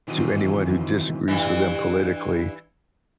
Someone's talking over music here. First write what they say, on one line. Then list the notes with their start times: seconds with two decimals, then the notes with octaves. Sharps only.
to anyone who disagrees with them politically,
0.08 D#3 E3 F#3 C4 F#4 D#5
1.28 G2 E3